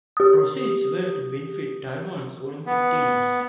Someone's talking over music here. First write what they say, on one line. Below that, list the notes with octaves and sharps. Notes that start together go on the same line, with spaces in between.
Proceeds were to benefit Taiwan's Olympic teams.
G4 D#6
B3